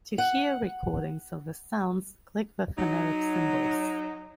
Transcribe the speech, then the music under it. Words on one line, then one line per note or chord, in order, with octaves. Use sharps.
To hear recordings of the sounds, click the phonetic symbols.
F#5
F#3 D#4